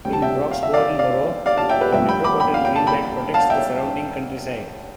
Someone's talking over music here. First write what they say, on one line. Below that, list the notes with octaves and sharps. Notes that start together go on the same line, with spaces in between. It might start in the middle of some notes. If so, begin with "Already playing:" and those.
In Broxbourne borough, the Metropolitan Green Belt protects the surrounding countryside.
D2 C3 G3 G5
A5
E5 G5
F5
E5
D5 F5
D5 F5
D5 F5
F5 A5
E5 G5
G4 B4
G2 F3 A3 E5 G5
G5 B5
B5 D6
G5 B5
F5
G5
A5
G5 B5
F5 A5
E5 G5